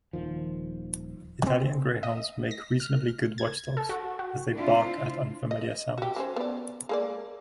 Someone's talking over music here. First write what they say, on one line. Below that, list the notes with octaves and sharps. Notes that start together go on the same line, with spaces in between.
Italian Greyhounds make reasonably good watchdogs, as they bark at unfamiliar sounds.
D#1 D#3 F3
C4
D#5
A#6
F6
G#6
A4
F#4
F#4
C4 D4 E4 F4
D#5
F#4 G4
F#3 C#4 C5
B3 D5
G#3 A#3 D5